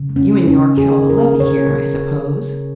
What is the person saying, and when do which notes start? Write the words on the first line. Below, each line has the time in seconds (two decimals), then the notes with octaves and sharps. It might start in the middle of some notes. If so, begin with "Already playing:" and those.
You and Yorke held a levee here, I suppose?
Already playing: C#3
0.09 G#3
0.16 C#4
0.31 G#3
0.48 C#4
0.55 C#3
0.78 G#3 G#4
1.01 C#3
1.09 A#4
1.25 G#3
1.40 C#5
1.48 C#3
1.70 C#3
1.94 C#3